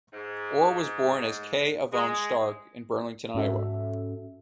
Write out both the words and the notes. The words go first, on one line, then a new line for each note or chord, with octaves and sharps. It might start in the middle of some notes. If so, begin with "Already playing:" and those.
Orr was born as Kay Avonne Stark in Burlington, Iowa.
G#2
G#3
G#2 C#4 F#4 A4 E5